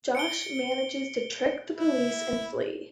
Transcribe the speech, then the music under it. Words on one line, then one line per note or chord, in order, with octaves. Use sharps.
Josh manages to trick the police and flee.
C#7 D7 G7
E4